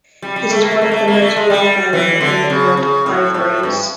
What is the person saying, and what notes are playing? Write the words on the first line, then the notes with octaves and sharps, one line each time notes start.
It is one of the most well known of the Nimrud ivories.
G3
G3
A3
A#3
A3
A#3
A3
A#3
A3
G#3
G3
E3
D3
C#3
C#3
A2
A2
G2